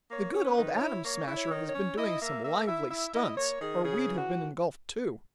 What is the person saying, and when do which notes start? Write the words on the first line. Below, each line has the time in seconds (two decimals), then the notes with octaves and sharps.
The good old Atom Smasher has been doing some lively stunts, or we'd have been engulfed too.
0.11 A#3 C#5
0.35 C#4
0.43 B4
0.58 D#3
0.74 C#5
0.81 E4
1.04 A#3 C#5
1.28 E4
1.36 C#5
1.51 D#3
1.66 C#5
1.75 C#4
1.98 E4 D#5
2.21 A#3 E5
2.44 A#3 E5
2.67 E4 E5
2.91 E4 E5
3.14 E4 D#5
3.37 A#3 C#5
3.61 D#3 G#4
3.84 C#3 G#4
4.08 E3
4.16 F#4